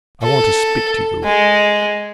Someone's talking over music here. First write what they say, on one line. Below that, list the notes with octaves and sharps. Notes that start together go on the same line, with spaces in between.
I want to speak to you.
A4
G#3